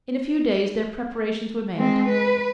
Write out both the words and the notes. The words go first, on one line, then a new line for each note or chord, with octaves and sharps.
In a few days their preparations were made.
G#3 C4
B4